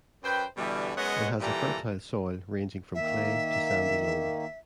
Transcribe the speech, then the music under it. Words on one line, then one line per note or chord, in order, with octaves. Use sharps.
It has a fertile soil ranging from clay to sandy loam.
F#2 B4 C5 G5
B2 D3 E3 G3
F#2 G#3 B3 C#5 D#5 F#5
A#2 E3 G3 G4 A4 A#5
D#3 A#3 E5